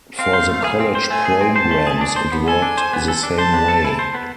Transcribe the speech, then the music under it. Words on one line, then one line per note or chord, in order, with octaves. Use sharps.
For the college programs, it worked the same way.
C4 F5
C5
A3
G#4
C4
C5
A3 G#5
G#4
C4
C5 A5
A3
G#4
D4
C5
B3
A4 G#5
D4
C5
B3
A4
D4
C5 A5
B3
A4
E4
C5
B3